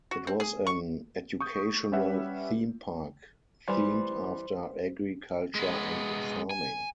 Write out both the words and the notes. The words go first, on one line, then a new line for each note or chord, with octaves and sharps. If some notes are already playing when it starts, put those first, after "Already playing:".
It was an educational themepark themed after agriculture and farming.
F#4
C4
G#4
C#6
C#6 D#6 G6
G3 C#4 B4 E5 F#5
E3 G3 C5
G#3 B3
G#5